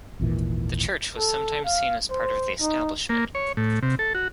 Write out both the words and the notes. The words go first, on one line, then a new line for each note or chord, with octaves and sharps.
The church was sometimes seen as part of the establishment.
G#1 D#2 A#2 E3
A4
F5
C5
D#4
A#3
C#5
A2
C3
A4
F#4